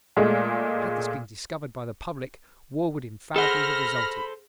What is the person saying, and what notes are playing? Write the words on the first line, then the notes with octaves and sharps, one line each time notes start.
Had this been discovered by the public, war would infallibly have resulted.
A#2 G#3 A3
G#4 A4 C5 F#5 B5 F6 A#6